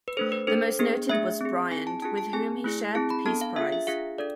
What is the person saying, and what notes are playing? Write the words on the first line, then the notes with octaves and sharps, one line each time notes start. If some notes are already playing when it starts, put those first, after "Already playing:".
The most noted was Briand, with whom he shared the Peace Prize.
B4
A3 D4 A4 C5
B4
D4 A4 C5
B3 D4 G#4
A3 D4 G#4 E5
C4 G#4
C4 E4 G#4 G#5
A5
D4 F4 G#4 A5
A5
C4 G#4 G#5
A3 E4 G#4
C4 E4 G#4 A5
B5
B3 D4 A4 A5
F5
D4 F4 G#4 E5
E5
D4 F4 G#4 F5
D4 A4 D5